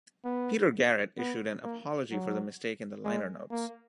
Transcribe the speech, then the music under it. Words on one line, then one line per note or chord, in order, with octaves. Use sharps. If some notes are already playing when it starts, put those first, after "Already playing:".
Peter Garrett issued an apology for the mistake in the liner notes.
B3
B3
A#3
F#3
G#3
A#3